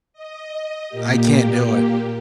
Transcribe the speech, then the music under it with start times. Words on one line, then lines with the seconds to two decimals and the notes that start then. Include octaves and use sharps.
I can't do it.
0.13 D#5
0.89 A#2 A#3 G4